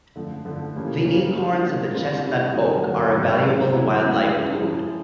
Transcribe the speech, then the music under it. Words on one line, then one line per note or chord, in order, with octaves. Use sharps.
The acorns of the chestnut oak are a valuable wildlife food.
D3 F3 A3
D3 F3 A3
C#3 E3 G3 A#3 C#4
C#3 E3 G3 A#3 C#4
G3 A#3 D4 F#4
G3 A#3 D4 F#4
G3 C4 F4
G3 C4 F4
D3 F#3 A#3 D#4 F#4
D3 F#3 A#3 D#4 F#4
G#2 D#3 F#3 B3
G#2 D#3 F#3 B3
D2 C#3 F#3 B3 E4
D2 C#3 F#3 B3 E4
F3 G#3 C#4 E4
F3 G#3 C#4 E4